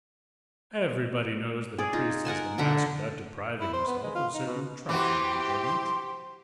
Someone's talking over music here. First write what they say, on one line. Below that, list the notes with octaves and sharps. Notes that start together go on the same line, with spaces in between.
Everybody knows that a priest says the mass without depriving himself of certain trifling enjoyments.
G#4 D5
D#4 F4
A#4 F#5 G#5 A5
D3 E5 F#5 A#5
E4
C5
B3
G#3
F4
D#4
B2
E3 F#4 G4 C5 D6